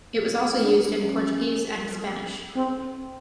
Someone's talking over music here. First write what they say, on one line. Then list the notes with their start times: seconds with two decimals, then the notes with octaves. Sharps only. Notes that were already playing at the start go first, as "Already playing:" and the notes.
It was also used in Portuguese, and Spanish.
0.23 C4
0.62 D4
1.00 C#4
2.56 C4